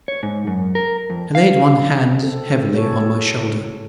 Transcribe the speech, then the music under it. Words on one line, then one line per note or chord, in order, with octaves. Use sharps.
He laid one hand heavily on my shoulder.
C#5
G#2
F#2
A#4
F2
F5
C4 A4
C4 E4 F#4 G#4 A4 C#5
C#3